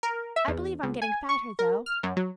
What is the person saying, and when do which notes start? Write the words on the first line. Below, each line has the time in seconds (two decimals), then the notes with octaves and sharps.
I believe I'm getting fatter, though.
0.03 A#4
0.36 E5
0.48 E2
0.83 C#2
1.02 G#5
1.29 C#6
1.59 A#4
1.86 F6
2.03 F#2
2.17 F#3